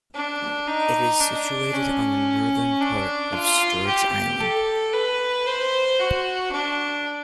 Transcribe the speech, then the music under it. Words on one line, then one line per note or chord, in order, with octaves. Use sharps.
It is situated on the northern part of Sturge Island.
D4
D#4
D4
C#4
D4
F4
G4
A4
B4
C5
F#4
D4